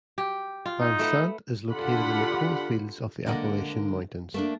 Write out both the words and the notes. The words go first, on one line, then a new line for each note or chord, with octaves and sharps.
Vansant is located in the coalfields of the Appalachian Mountains.
G4
F4
D#4
A3 B4 F#5
D3 D4 F4 G4 F#5 B5
D3 G#3 A#3 D5 F#5
A3 A#3 D4